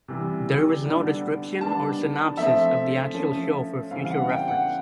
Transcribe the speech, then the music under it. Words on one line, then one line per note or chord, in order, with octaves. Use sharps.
There was no description or synopsis of the actual show for future reference.
C3 E3 G3
D3 G3 B3 D4
D#3 G3 B3 D4 A5
F3 A3 C4 E5
F3 A3 C#4
C#3 E3 G3 C4 F5
F5
F#5
G5
F#5